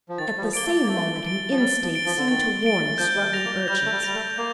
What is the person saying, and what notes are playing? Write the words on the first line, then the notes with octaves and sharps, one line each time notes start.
At the same moment an instinct seemed to warn the struggling urchins.
F3
D#3 A6
G3
F3
A#3 D7 G7
A3
A#3
A3 A6
D7 G7
F3
G3 A6
F3
D7 G7
F3
D3
D#3 A6
D7 G7
F3 G6
G3
A3
A#6 F7
A#3
G3 G6
A3
G3
G3 A#6 F7
A3
A#3 G6